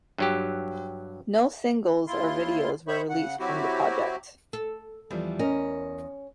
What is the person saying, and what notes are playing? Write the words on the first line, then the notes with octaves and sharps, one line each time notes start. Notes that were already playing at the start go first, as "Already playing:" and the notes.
No singles or videos were released from the project.
G2 F#3 G4
D#2 E4 F4 C6
C5 C#5 E5 B5 C#6
C#3 F#5
F#3 C4 E4 F#4 G4
A4
E2 E3 F3 G3
E2 C#4 A#4 D#5